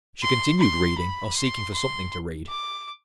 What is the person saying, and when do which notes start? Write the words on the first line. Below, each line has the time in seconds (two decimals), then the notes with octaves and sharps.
She continued reading, or seeking for something to read.
0.23 C6
0.60 C6
0.98 B5
1.36 C6
1.74 C6
2.49 D6